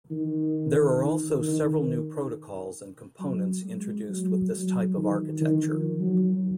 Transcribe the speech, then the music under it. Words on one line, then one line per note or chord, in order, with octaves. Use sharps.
There are also several new protocols and components introduced with this type of architecture.
D#3
D#3
D#3
F#3
G#3
F#3
F#3
D#3
D#3
F3
F#3